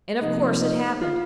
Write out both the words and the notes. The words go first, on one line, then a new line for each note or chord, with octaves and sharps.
And of course it happened!
C3 F3 A#3 D#4
D#4
F4